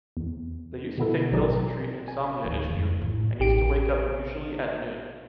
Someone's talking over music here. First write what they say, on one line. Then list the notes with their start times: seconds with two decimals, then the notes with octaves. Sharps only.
They used to take pills to treat an insomnia issue, and used to wake up usually at noon.
0.17 E2
0.98 B2 D3 B3 E4 A4
1.31 A1 B2 F#3 D#4 G#4 D5
2.08 G#5
2.44 D2 D#3
2.71 F2 G#3
3.02 A1
3.40 A1 G4 D7